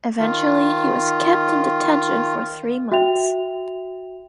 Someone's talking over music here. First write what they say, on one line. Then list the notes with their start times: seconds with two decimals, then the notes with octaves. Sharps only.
Eventually he was kept in detention for three months.
0.19 D#3 F4
2.92 F#4 E5 G5 F7